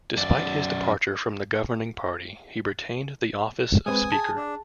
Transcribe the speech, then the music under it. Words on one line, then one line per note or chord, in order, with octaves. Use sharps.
Despite his departure from the governing party, he retained the office of Speaker.
F#2 D5
G#3 C4 B4 G#5 D#6
G#4 A5
D4